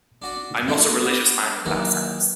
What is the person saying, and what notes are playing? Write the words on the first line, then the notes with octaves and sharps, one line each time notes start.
I'm not a religious man in that sense.
D4 F#4 D5
A3 A#3 E4 F#4 C5 F#5
B3 D4
D#2 D#3 E3 F#3 D#4